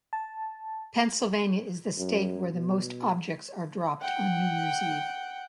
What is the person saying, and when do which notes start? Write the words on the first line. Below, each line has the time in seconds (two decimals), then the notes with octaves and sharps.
Pennsylvania is the state where the most objects are dropped on New Year's Eve.
0.13 A5
1.98 F#2
2.54 B2
4.01 F#5 G5